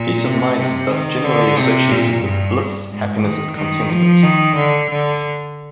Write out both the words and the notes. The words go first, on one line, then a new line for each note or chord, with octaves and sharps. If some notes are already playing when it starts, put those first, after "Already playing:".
Peace of mind is thus generally associated with bliss, happiness and contentment.
Already playing: A#2
C3
C3
D#3
D3
C3
A#2
G2
G#2
D#3
D#3
F3
D#3
D3
D3